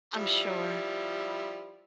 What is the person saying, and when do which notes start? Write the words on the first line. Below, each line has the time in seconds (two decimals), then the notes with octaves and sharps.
I'm sure.
0.15 F3 G3 E4